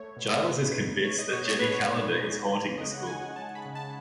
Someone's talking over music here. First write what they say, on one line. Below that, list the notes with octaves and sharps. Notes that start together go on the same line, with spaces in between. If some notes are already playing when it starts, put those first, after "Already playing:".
Giles is convinced that Jenny Calendar is haunting the school.
Already playing: A3 C#5
B2
B2 B4
D#4
A3 C#5
D#5
B2 C#5
C#5
B2 B4
C#5
D#4
G#3
C#3
C#3 D#5
F#5
F#5
C#4 G#5
F#5
G#3 A5
B5
C#3
A5